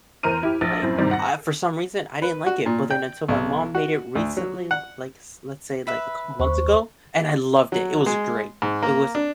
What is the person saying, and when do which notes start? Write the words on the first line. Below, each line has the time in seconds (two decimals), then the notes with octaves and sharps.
Like, I for some reason, I didn't like it. But then until my mom made it recently, like, let's say, like, a couple months ago, and I loved it. It was great. It was
0.23 E2 A#4 C5 A#5 F6 D#7
0.43 E4 G4
0.61 A#1 A6
0.82 F#2 A2 C4
0.97 G#2 C3 D#3 G3 C4
1.11 F#5 A#6
2.22 B4
2.46 F#4
2.66 A#2
2.90 G5
3.28 B1
3.75 F#4
4.15 D2
4.37 F#3
4.71 F#5
5.87 B4 E5 B5
6.40 D#2 C5 C#6
7.72 F#3
8.06 G#3
8.62 G#2
8.82 A#3
9.15 D4